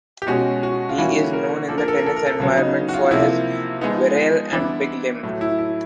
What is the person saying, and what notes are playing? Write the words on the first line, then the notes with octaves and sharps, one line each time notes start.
He is known in the tennis environment for his virile and big limb.
G4
B2 G#3 C#4 F#4
F#4
F4
E3 G3 A#3 C#4 F#4
A#4
F3 A#3 D4 A4
A#4
A4
A#4
A4
A#4
A4
C#3 F#3 B3
D#4
F#4
F4
C3 F3 A#3 E4
F3 G#3 B3 D#4
E3 G3 B3 D4 E4
A2 F#3 A3
E4
E4